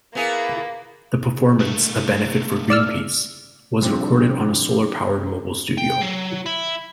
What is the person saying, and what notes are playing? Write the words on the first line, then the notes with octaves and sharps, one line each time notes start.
The performance, a benefit for Greenpeace, was recorded on a solar-powered mobile studio.
A#3 B3 E4 G#4
A3 A#3
D5 E6 F6
F3 G3 C4 D4
G5
F#3
E4